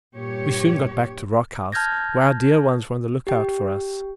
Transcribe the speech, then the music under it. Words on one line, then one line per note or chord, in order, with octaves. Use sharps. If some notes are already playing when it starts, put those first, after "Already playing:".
We soon got back to Rock House, where our dear ones were on the look-out for us.
G2 A#2 G4 C#5
A5 F6 G6 G#6 A#6
G4 G5